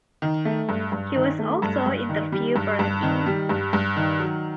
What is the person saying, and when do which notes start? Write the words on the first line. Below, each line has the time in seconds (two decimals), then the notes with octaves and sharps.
He was also interviewed for an E!
0.22 D#3
0.45 A3
0.69 G2
0.92 G2
1.16 D#3
1.39 A3
1.62 G2
1.86 G2
2.09 D#3
2.32 G3
2.56 G2
2.79 G2
3.03 D#3
3.26 G3
3.49 G2
3.73 G2
3.96 D#3
4.20 F#3